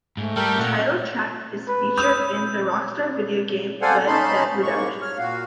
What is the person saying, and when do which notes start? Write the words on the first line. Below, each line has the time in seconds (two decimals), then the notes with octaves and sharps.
The title track is featured in the Rockstar video game "Red Dead Redemption".
0.17 G#2 A3
0.36 G3 A4 A#4 G5
0.59 A#2 F#5
1.68 B4
1.98 B5 D#6 E6 G6
3.82 A4 C5 D5 F5 F#5 G#5
4.07 C#4 D#4 A5 B5 C6
4.63 G#2 G#3 A#3 C#6
5.02 C#5 F6
5.18 A#2 F#4 F5